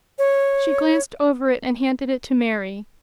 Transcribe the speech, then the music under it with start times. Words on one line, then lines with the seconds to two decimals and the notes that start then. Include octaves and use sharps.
She glanced over it, and handed it to Mary.
0.19 C#5